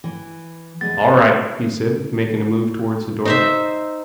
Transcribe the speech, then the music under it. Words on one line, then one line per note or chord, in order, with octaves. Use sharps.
"All right," he said, making a move towards the door.
E3
E2 G#3 B3 A6
D#4 C5 E5